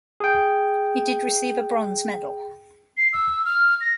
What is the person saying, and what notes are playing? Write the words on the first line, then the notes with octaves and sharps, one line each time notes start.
He did receive a bronze medal.
G#4 G5
C7
E6
F6
A#6